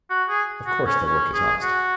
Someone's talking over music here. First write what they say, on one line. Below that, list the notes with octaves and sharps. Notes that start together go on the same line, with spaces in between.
Of course, their work is honest!
F#4
G#4
F#4
C#4
C#4
G#4
F#4